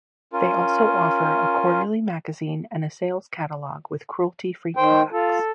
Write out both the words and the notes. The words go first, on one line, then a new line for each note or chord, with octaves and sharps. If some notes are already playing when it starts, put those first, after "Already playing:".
They also offer a quarterly magazine and a sales catalogue with cruelty-free products.
C#4 F4 A#4
D#3 C5 G5
F4 A4